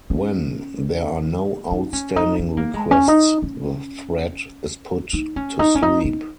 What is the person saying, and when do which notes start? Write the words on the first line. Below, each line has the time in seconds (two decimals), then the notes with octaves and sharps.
When there are no outstanding requests, the thread is put to sleep.
0.10 C#4
1.71 D#4
1.93 C#4
2.16 D#4
2.39 C#4
2.57 A#3
2.74 G#3
2.91 C#4
3.08 D#4
3.42 C#4
5.13 D#4
5.36 C#4
5.59 D#4
5.75 C#4
5.82 D#4
6.05 D#4